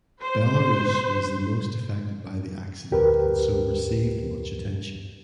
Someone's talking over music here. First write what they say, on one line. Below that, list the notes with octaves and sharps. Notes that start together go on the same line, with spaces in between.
Belarus was the most affected by the accident and so received much attention.
C5
D2 G4 A#4 B4